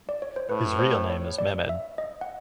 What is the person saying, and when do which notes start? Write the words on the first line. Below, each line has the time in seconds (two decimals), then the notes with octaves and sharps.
His real name is Mehmed.
0.09 D5
0.22 C#5
0.36 C5
0.49 A2 B4
0.79 C5
1.10 C#5
1.38 D5
1.69 E5
1.98 D#5
2.21 F#5